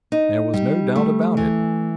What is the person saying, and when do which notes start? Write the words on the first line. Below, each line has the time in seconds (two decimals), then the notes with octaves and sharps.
There was no doubt about it.
0.12 D#4
0.54 G3
0.96 A3
1.37 E3